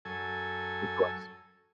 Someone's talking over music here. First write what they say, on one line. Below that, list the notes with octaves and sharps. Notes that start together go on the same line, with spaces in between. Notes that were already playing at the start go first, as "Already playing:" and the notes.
of course.
F#2 A4 G#5